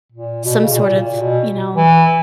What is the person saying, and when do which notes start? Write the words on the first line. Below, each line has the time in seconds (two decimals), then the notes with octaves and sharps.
some sort of, you know
0.12 A#2
0.45 B2
0.64 C#3
0.72 B2
0.78 A#2
1.00 A#2
1.21 B2
1.76 E3